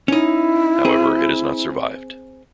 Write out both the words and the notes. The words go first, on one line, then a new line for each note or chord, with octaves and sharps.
However, it has not survived.
C#4 D#4 E4
C4 G#4